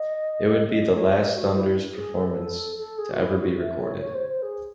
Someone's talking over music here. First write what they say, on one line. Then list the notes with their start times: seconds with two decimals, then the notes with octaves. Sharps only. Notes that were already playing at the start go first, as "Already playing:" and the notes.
It would be the last Thunders performance to ever be recorded.
Already playing: D#5
0.73 D#5
0.93 C#5
1.14 D#5
1.35 F#4
1.55 E4
1.96 G#4
2.17 A4
2.78 A4
2.98 G#4
3.11 F#4
3.19 E4
3.40 F#4
3.60 E5
3.81 C#5
4.01 C#5
4.14 C5
4.29 C5
4.42 G#4